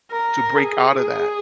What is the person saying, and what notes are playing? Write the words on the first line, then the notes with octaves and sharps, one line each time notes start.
to break outta that,
A#4
G#4